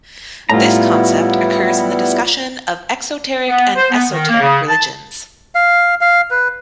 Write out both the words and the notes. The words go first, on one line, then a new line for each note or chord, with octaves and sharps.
This concept occurs in the discussion of exoteric and esoteric religions.
A2 G3 B3 E4 F4 A#5
B3
C5
B3
D#3
A#3
C#3
A5
F5
F5
B4